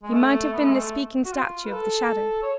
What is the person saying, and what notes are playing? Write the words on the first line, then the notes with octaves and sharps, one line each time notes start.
He might have been the speaking statue of the shadow.
G#3
A3
B3
A3
G#3
A3
F#4
F4
B4
A4
C#5